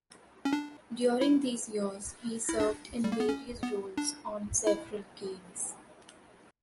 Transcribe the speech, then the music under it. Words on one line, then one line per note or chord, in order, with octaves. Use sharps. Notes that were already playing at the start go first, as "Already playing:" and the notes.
During these years he served in various roles on several games.
C#4
D4
E4
E4
D4
G3
A#3
B3
C#4
B3
D4
E4